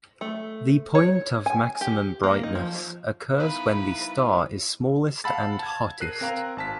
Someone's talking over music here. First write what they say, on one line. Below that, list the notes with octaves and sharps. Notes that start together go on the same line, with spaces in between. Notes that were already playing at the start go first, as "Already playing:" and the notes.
The point of maximum brightness occurs when the star is smallest and hottest.
A3
C#5
G#5
G4
A#3
D#4
F3
B3 D#4 E4 A#4 B4 F5 B5
F5 F#5 A5 B5 E6 A6
A5 G#6
A#4 F#6 C7 D#7
C4 A#4 F5 A#5
G#1 A5 B6